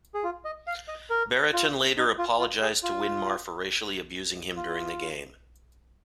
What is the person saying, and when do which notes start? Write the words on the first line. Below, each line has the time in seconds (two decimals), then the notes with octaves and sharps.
Brereton later apologised to Winmar for racially abusing him during the game.
0.14 G#4
0.24 F4
0.45 D#5
0.67 F5
0.88 D#5
1.10 A#4
1.53 F4
1.97 D#4
2.18 F4
2.39 F4
2.61 G#4
2.83 F4
4.56 F4